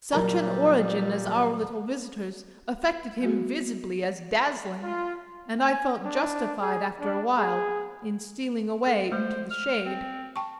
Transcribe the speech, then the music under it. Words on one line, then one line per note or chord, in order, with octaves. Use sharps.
Such an origin as our little visitor's affected him visibly as dazzling, and I felt justified after a while, in stealing away into the shade.
A#2 F#3 G3 A#4 A#5
G3 B3 F#4 G#4
F4
G#5
D4
G#4
D4
G#4
A4
G#3 A3 C5
F6
C4
G5 A5 C#6